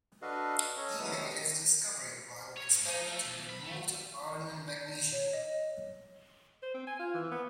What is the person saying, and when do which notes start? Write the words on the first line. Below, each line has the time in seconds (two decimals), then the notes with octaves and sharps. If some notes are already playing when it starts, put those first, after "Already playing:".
He made his discovery while experimenting with molten iron and magnesium.
0.22 D4 F#4 A4 B4 D#5 F5
0.77 C#4 A4 C#5 D#5 A#5
0.99 E2 C3 A4 B4 A#5 D#6
1.17 F#3 G#3 G4
2.57 C#5
2.70 G#2
2.88 D#4
3.06 A3
3.26 B1
3.49 B5
3.66 A3
4.68 G6
5.12 C#5
5.33 D#5
6.62 C5
6.74 C4
6.87 G#5
6.99 F4
7.14 E3
7.31 B3